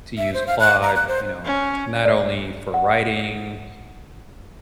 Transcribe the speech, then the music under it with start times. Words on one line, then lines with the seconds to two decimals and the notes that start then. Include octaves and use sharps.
to use Claude, you know, not only for writing
0.18 E5
0.34 C5
0.47 F5
0.60 F#6
0.82 A#5
0.96 F#6
1.08 C5
1.45 C#4
2.05 D5
2.74 F#5